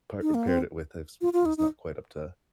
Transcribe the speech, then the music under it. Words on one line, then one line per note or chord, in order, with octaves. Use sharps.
pa uh, paired it with is is not quite up to
D#4
A#3
C4
F4
F4
D#4
D#4